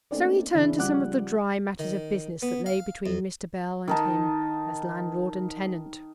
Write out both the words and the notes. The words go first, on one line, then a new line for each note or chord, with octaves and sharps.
So he turned to some of the dry matters of business that lay between Mr. Bell and him, as landlord and tenant.
A3 A#3 C4 C#4 D#4 D5
C#3 E3 D4 E4
C#3 F3 G3 F#5 D6 F#6
D#3
B3
F5
F2
D#3 D#4 A5